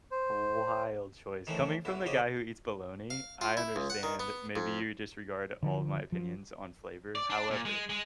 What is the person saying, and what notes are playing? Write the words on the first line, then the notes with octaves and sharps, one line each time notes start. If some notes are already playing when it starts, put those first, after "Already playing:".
Wild choice. Coming from the guy who eats bologna, I understand. Maybe you disregard all of my opinions on flavor, however,
C5
D#3 E3 A3 C#4 C5
B1 E4 F#4
C#3 C4 G4 C5 C#5 D#5
F5
F4
E4
C#2
F#5
D#3
B3
F2
D3 F3
F3
D5
D4
A#2
G#3
G#3